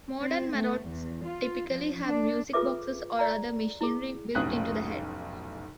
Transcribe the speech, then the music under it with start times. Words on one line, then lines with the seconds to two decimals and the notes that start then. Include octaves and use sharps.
Modern marottes typically have music boxes or other machinery built into the head.
0.21 C4
0.53 A3
0.88 E2
1.26 F4
1.71 F3
2.03 D4
2.53 F4 G#4 A4 B4 E5 D6
3.19 D5 A#5
3.81 E4 G#4
4.35 F1 B1 A2 C#4 D#6 F#6